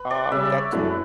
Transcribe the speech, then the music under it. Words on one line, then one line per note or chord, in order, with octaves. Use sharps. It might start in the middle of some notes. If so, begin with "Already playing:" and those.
Um, that's the
Already playing: B4
D5
C#3 G3 C#4 E5
D5
C#5
F#2 E3 A3 D4 F#4 B4